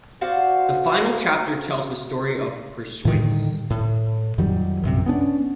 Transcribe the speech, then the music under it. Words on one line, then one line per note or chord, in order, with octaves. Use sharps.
The final chapter tells the story of Perseus.
F#4 C5 D5 F5
A2 D3 D#3 G3
A2
F2 D#3 F#3 G3
A#1 F#2 C3
B3 C#4 D4